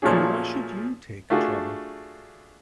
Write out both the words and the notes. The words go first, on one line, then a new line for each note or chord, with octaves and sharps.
And why should you take trouble?
A#2 F3 F#3 A3 C#4 G#4
A3 D4 F4 F#4 G#4